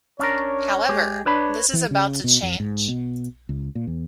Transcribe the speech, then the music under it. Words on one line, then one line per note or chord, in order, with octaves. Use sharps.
However, this is about to change.
C#4 D4 A#4 C#5
G#3 G4 G#4
D4 B4 C#5 B5
E3
C#3
B2
F2
G#2
B2
C#2
A#2
E2